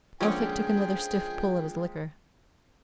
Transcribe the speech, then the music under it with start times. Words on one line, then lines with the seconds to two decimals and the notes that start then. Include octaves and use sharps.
Elphick took another stiff pull at his liquor.
0.21 D3 F3 G#3 A#3 C#4 G#4 G5